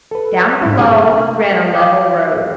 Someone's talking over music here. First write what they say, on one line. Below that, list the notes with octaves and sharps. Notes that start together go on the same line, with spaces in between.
Down below ran a level road.
A4 B4
G#2 G3
C3 D4 G#4
D#5 F5 G5 D6 D#6